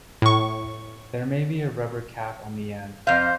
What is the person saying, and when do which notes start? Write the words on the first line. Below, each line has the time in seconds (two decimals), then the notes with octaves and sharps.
There may be a rubber cap on the end.
0.22 A2 C#6
3.07 F2 C5 F5